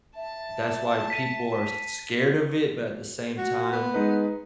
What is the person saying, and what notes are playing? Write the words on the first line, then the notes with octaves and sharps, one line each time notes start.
That's why people are scared of it, but at the same time
E5 A5
B6 D#7
F#4
B3
G#3 D#4 B4